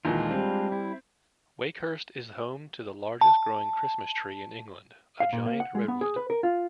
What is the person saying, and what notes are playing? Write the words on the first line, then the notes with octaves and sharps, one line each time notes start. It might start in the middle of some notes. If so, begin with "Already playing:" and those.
Wakehurst is home to the largest growing Christmas tree in England, a giant redwood.
D#2 A#2 E3 G#3 D4 F4
G3 C4
E4
A5
F5
A#2
A#3
F#5
G#3
B3
G#4
B4
A#4
F4